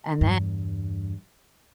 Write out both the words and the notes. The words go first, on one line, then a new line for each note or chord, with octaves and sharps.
and then
E2 G2